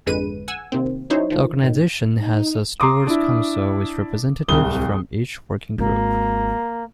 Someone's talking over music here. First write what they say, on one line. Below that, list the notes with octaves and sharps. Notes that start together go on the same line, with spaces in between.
The organization has a stewards' council with representatives from each working group.
G#1 F2 D3 G#3 B4 D#7
F#5 G#5 E6
C3 D#3 A#3 C4
F#3 C#4 D#4 E4 C5 C#5
D#3 F3
A2 D#3
D#4
A#5 C6 D6 D#6
D4 E4
D1 C2 D#6 G7
G#1 A#3